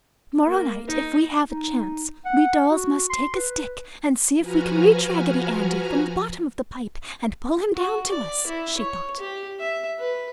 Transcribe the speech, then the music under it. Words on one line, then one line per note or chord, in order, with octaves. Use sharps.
"Tomorrow night if we have a chance, we dolls must take a stick and see if we can reach Raggedy Andy from the bottom of the pipe and pull him down to us!" she thought.
A#3
D#4
D#4
F#5
F#4
C6
B4
F3 F#4 B4 G#5 A#5 F6
F#4
D5
E4
C#5
G4
E5
B4